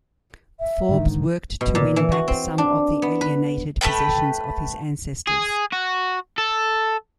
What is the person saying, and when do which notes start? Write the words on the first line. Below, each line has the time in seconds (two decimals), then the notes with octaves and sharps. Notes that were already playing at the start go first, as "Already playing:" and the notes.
Forbes worked to win back some of the alienated possessions of his ancestors.
0.60 E5
0.89 G#2 D3 D#3
1.61 B2
1.75 A#2
1.96 E3
2.12 F#4
2.28 C4
2.58 D4
3.02 B3
3.21 B4
3.81 A3 A#3 B4 G5
5.28 G#4
5.73 F#4
6.38 A4